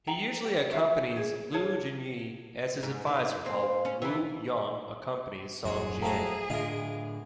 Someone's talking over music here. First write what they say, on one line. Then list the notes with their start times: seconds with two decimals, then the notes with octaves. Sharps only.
He usually accompanies Lu Junyi as his advisor while Wu Yong accompanies Song Jiang.
0.07 D5 G5 A#5
0.45 G4 D5
0.71 F4 F#4 E5 F5
1.16 C#4 G#4
1.52 F4 G#4 C#5 A5
2.83 G#2
3.07 D#3
3.45 A#3 C4
3.85 C#4
4.02 E3 B3
5.65 D#1 F#2 F#4 G#4 C#5
6.02 F3 A3 F#4 G5 A5 A#5
6.50 A2 D3 F4 A#4 D#5 E5